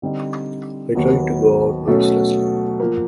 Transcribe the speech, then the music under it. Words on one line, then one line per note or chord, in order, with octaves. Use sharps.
I tried to go out noiselessly.
D3 G3 C4 D#4
D#2 D#3 F#3 B3
B2 F#3 A3 C#4
F3 A#3